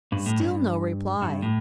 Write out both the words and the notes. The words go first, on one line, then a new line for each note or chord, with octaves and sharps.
Still no reply.
G2
A2
G2
G2
A2